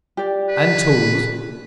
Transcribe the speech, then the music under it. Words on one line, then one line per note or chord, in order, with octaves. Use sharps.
And tools.
G4 D5
B4